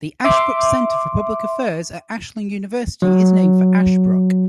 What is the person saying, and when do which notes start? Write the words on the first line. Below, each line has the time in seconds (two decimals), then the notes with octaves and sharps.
The Ashbrook Center for Public Affairs at Ashland University is named for Ashbrook.
0.24 E5 C6 D6
3.02 F#3